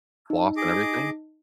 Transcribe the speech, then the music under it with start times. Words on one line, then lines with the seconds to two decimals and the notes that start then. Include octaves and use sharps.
floss and everything?
0.30 D#4
0.57 G#4 D#5 D6